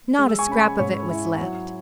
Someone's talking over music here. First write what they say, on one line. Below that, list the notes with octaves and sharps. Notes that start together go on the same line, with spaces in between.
Not a scrap of it was left.
G#3
E6
G#5 C#6
C#4 B5
G#5 C#6
G#2 C#5
E4
F#3